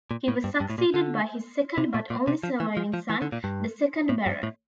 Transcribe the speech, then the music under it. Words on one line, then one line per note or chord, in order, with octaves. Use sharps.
He was succeeded by his second but only surviving son, the second Baron.
A#2
A2
G2
G2
A2
A#2
D3
C3
A#2
A#2
C3
F3
E3
F3
F3
E3
D3
A#2
G2
A2
G2
A2